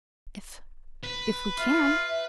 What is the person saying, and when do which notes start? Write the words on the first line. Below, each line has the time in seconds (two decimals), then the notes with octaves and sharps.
"If--if we can."
1.03 B4
1.59 F4 E5